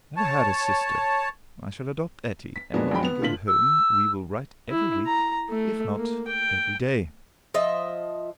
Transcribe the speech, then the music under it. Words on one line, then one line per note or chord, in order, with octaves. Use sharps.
I never had a sister; I shall adopt Etty, and when I go home, we will write every week, if not every day.
C#5 A5
B6
F2 F#3 G#3 A#3 B3 D4
A#1 F#3 G#3 G5 B5
B3 F7
A2 D3 F4 B6 F#7
E6
E4
A#5
A3
A#3
G5
F3 D#5 E5